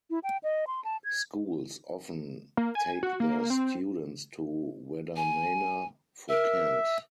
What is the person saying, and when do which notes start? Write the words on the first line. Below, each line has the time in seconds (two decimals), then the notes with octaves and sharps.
Schools often take their students to Waddamana for camps.
0.10 E4
0.23 G5
0.43 D#5
0.67 C6
0.84 A5
1.04 G#6
2.57 A#3
2.75 G#5
3.03 F#4
3.20 A#3
3.50 C4
5.16 G#5
6.29 A#4 E5